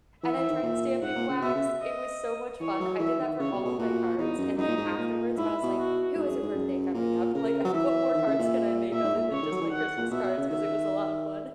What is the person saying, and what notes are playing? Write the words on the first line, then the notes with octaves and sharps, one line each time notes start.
and I tried stamping wax, it was so much fun, I did that for all of my cards, and then afterwards, I was like, "Who has a birthday coming up?" Like, "I what more cards can I make other than just my Christmas cards?" 'Cause it was a lot of fun.
E3 E5
E3
D#3
A#2
G#2 F#5
A#2
C#3
B2 E5
C#3
D#5
E3 C#5
F#3
E3 E5
D#3
C#3 C#5
B2
B2
A#2 F#4
E2 D#4
F#2
F#2 D#4
A#2
G#2
A#2
G#2 E4
B2
F#4
G#2 G#4
F#2
G#2
F#2
A#2 A#4
C#3 A#4
F#3
E3 E5
D#3
C#3
A#2
A#2 E5
G#2
A#2
C#3 C#5
D#3
F#3
E3
D#3 F#5
A#2
B2 E5
B2
C#3
D#3 E5